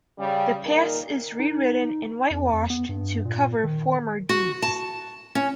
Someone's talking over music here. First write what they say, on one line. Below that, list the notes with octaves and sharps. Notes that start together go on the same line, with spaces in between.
The past is rewritten and whitewashed to cover former deeds.
C#3 G3
A#2 D#4 A#4
D#4
F2
F2
B3
G2
A#2
D#3
F#4
A5
C#4